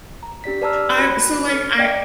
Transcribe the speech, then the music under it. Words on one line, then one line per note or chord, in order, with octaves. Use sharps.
I so like I
A#5
D4 G4 D5 B6
B4 D5 A5 A#5 E6 F6
F#4 B4 B5 F#6
A4 F6
D5 D#5 G5